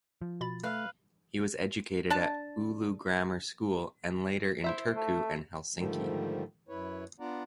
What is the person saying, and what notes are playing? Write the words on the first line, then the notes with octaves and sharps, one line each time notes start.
He was educated at Oulu Grammar School and later in Turku and Helsinki.
F3
B2 B5 A6
A3 B4 F5
D4 A5
E4 C5 E5
A3
G#2 D3 D#3 F3 G3 A3
F#2 E4 B4 C#5
B3 D4 F4 D5 F#5 A#5